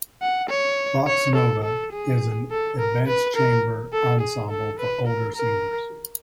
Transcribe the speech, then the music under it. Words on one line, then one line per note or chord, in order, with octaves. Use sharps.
"Vox Nova" is an advanced chamber ensemble for older singers.
F#5
C#5
C#5
A4
A4
G#4
A4
A#4
B4
A#4
A4
G#4
A4
B4
A#4
A#4